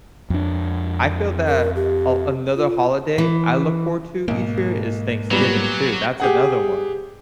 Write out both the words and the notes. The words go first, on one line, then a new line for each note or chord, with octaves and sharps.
I feel that, uh, another holiday I look forward to each year is Thanksgiving, too. That’s another one
F2 D4
A#4
G4
F4
E3
B1 G#2 A#3
A#2 F#3 G3 B3
G4 G#4 F#5